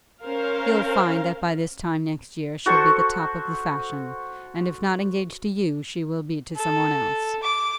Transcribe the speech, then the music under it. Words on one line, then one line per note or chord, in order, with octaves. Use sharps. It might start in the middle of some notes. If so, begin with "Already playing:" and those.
You'll find that by this time next year she'll be the top of the fashion; and if not engaged to you, she will be to some one else.
C#4 A#4 C5 F5
F#4 A4 C5 C#6
A4
D6